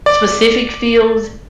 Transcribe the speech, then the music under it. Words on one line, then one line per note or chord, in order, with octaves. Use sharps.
specific fields?
D5